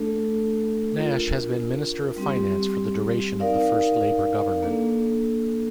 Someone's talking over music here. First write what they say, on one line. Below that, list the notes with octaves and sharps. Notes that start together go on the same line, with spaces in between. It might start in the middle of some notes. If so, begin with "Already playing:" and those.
Nash had been Minister of Finance for the duration of the first Labour government.
Already playing: A3 D4 A4
D4 F4 A#4
G3 C4 G4
D#4 A#4 D5 F5
A#3 D4 A4